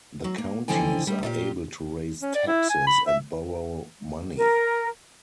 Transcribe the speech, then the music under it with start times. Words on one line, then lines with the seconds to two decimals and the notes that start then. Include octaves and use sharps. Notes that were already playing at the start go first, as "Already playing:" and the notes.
The counties are able to raise taxes and borrow money.
0.24 F#3 F#4
0.38 A#3
0.68 F2 D3 E3 F3 G5 G#5
1.07 G3 A3
1.23 A#2 F4 G4
2.22 C#4
2.35 D5
2.47 E4
2.70 G#5
2.87 B5
3.07 E5
4.36 A#4